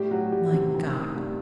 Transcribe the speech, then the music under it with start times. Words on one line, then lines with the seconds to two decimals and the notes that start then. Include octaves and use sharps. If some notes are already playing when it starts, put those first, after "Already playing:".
My God!
Already playing: A2 G3 G4
0.11 F#3 F#4
0.32 A2 G3 G4
0.53 C3 C4
0.74 D#3
1.17 G2